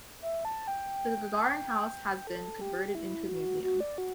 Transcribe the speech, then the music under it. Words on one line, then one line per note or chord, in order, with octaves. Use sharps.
The Gagarin house has been converted into a museum.
E5
A5
G5
A4
G4
E4
F#4
F#4
D5
F#4